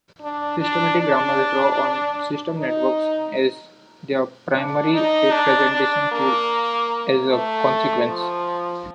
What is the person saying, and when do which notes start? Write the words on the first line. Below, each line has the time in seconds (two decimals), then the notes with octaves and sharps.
Systemic grammars draw on system networks as their primary representation tool as a consequence.
0.22 D4
0.60 D4
1.00 D4
2.58 D#4
4.54 D4
4.94 D#4
5.32 D4
5.72 D4
6.12 A#3
7.29 A3
8.08 F3